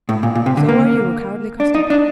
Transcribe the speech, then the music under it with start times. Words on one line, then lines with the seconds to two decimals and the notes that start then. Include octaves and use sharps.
"So are you a cowardly custard."
0.09 A2
0.23 A#2
0.35 A#2
0.46 C3
0.57 D3
0.69 A#3
1.60 D4
1.75 D#4
1.90 D4